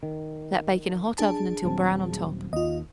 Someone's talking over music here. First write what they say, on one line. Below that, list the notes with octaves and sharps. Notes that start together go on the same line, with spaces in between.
Let bake in a hot oven until brown on top.
D#3
D4 G#4 A5
D#1 F#3 C4
D#2 F4 D#5